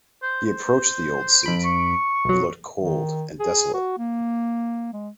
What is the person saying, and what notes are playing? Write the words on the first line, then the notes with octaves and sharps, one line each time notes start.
He approached the old seat; it looked cold and desolate.
C5
C5
F2 B5 D7
C#6
B1 F#3
D#3
G#4
F#4
A#3
G#3